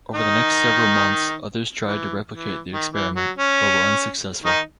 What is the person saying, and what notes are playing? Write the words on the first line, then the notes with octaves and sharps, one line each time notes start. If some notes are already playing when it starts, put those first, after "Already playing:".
Over the next several months others tried to replicate the experiment, but were unsuccessful.
D#3 D#4
E3
E3
D#3
E3
F#3
C#4
D#3 D#4